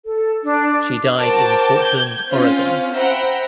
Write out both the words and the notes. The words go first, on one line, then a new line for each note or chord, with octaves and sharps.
She died in Portland Oregon.
A4
D4
F#4 A#4 C5 G5 A5 D6
G6 G#6
C4 C#4 F4
C5 E5 F#5 G5 A#5 B5